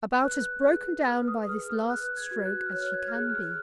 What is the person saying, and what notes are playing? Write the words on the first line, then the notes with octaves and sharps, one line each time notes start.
'About as broken down by this last stroke as she can be.'
B4 F#6
G#4
B4 F6
D#6
G#4 F6
F6
B4 F#6
G#6
F#4 G#6
F#6
F6
C#5 F#6
G#6
F6
G#4 F#6
F#6
F6